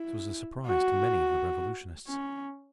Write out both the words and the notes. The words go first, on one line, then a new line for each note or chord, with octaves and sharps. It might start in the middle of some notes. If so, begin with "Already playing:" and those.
This was a surprise to many of the revolutionists.
Already playing: E4
F#4
C#4